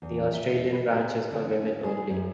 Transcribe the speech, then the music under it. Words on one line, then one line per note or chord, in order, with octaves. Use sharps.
The Australian branch is for women only.
E2
E5
B4
G#4
D3
C#4
C#4
G#4
F#2